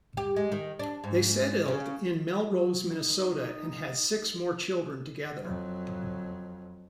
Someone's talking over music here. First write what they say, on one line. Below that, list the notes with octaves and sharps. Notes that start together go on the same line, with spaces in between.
They settled in Melrose, Minnesota and had six more children together.
G4
G#3
D#3
D4
G#2
C#3 C#4
F#3
D#4
F2 F#3